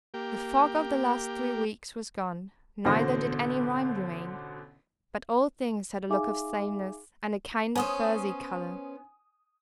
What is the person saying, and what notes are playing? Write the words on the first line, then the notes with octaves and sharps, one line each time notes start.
The fog of the last three weeks was gone, neither did any rime remain; but all things had a look of sameness, and a kind of furzy colour.
A#3 G4
A1 B2 D3 C5 A#6
D#4 G#4 E5 F5 G#5 D6
B3 C#4 C5 G#5 D#6